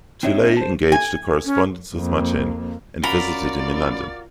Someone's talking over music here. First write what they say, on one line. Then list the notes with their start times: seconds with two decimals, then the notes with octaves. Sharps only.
Toulet engaged a correspondence with Machen and visited him in London.
0.23 C4 D4 D#4 C#5 E5
0.57 C5 A5
0.92 G#5
1.45 C#4
1.94 F2 A#3
3.04 F#2 F4 F#4 A#4 D5 B5